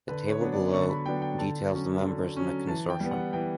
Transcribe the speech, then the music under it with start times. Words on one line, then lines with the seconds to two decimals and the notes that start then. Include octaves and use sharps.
The table below details the members in the consortium.
0.08 D3 B4
0.30 C#5
0.40 F#3 B3 D4
0.52 D5
0.73 D3 C#6
0.89 B5
1.05 F#3 B3 D4 G5
1.22 G5
1.38 D3 A5
1.72 F#3 C#4
2.03 D3
2.37 F#3 C#4
2.68 E3 A5
2.90 G5
3.00 G3 B3
3.11 F#5
3.33 E3 G5